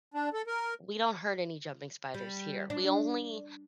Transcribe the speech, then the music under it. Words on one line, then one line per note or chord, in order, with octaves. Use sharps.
We don't hurt any jumping spiders here. We only
D4
A4
A#4
G3
D4